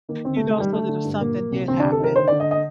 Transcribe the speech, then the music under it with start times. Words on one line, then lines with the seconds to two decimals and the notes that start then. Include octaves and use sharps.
you know, so that if something did happen
0.09 D#3 A#3
0.25 D2 C4
0.36 A3
0.40 C3
0.49 A3
0.57 D#3 G3
0.73 D3 A3
0.89 D3
1.05 G2
1.20 A#2 A#3
1.36 A#2
1.52 C2
1.68 D2 C4
1.79 D4
1.84 C3
1.92 A4
1.99 D#3 A#4
2.16 D3 C5
2.28 D5
2.32 D3
2.40 D#5
2.51 D#5